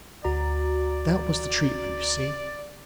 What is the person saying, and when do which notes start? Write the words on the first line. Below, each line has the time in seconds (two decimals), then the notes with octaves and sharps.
'That was the treatment, you see.
0.24 D2 F#4 D5 A#5